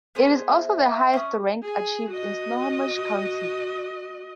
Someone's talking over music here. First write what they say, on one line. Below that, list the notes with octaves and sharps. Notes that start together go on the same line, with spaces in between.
It is also the highest rank achieved in Snohomish County.
B3 G#4 C5
E5
C#4 D#6
G#4
F#4 D#5